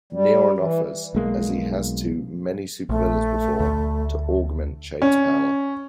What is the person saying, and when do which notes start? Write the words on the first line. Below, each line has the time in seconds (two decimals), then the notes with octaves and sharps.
Neron offers, as he has to many supervillains before, to augment Shade's power.
0.13 G3
0.58 E3
1.15 B1 G#3 A#3
2.89 A#1 A3
3.60 D2
5.02 C#4